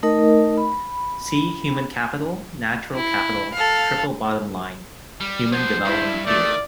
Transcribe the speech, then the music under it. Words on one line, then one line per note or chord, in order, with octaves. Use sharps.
See human capital, natural capital, triple bottom line, human development theory.
A3 D#4 A#4 D#5
B5
E4
A4 F5
G3
F3 B3 C5
G2 E4
D#3 A3 D5